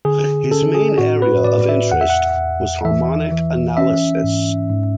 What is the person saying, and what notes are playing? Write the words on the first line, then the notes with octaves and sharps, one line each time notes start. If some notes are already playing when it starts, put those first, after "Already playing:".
His main area of interest was harmonic analysis.
D3 G#4
C#4 A4
G#4
A2 F#4
B4
A2 D5
E5
E2 F#5
E5
F#5
E2
E3 E5
E3
C#4 E5
G#2
G#2